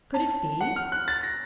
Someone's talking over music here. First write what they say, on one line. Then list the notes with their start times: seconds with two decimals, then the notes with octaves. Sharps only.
Could it be?
0.14 A5
0.61 F#5
0.76 F6
0.92 F#6
1.08 A6
1.23 A#6